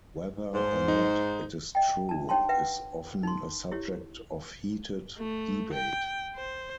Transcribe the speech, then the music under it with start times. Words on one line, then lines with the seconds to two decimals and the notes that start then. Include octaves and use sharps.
Whether or not it is true is often a subject of heated debate.
0.54 G#2 C5
0.88 D#4
1.75 D#5 G5
2.09 D4 A5
2.29 D#4 G4 C#5 G5 A5 C6
2.49 B4 E5 F#5 G5
3.23 D#4 C6
3.71 E4 G4 C#5
5.18 A3
5.73 G5
6.36 C5